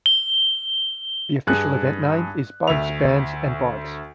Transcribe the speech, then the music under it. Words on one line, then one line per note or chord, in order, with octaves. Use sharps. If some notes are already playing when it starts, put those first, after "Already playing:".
The official event name is "Bugs Bands and Bikes".
G7
G2 G#4 F#6
D2 E5 F7